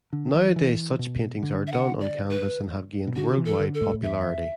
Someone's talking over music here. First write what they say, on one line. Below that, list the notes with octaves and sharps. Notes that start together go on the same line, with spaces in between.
Nowadays such paintings are done on canvas and have gained worldwide popularity.
D3
E3
E3
B2
D3
E5
F#5
D5
B4
B2
D3 F#4
E3
A4
D3
A4
A2
E2 E5